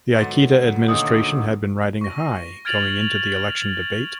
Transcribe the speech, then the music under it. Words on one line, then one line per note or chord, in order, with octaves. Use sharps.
The Ikeda administration had been riding high going into the election debate.
G#2 D3 F#3 B3 A6
D2 A#2 D#3 D#4 D#6 F#7
C#6 A#6
F6 G#6 A6 D7 F7 F#7